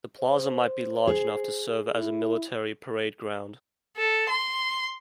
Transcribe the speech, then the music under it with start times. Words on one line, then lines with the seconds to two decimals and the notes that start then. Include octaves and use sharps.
The plaza might be large enough to serve as a military parade ground.
0.20 C5
1.07 G#4
1.96 E4
3.97 A4
4.30 C6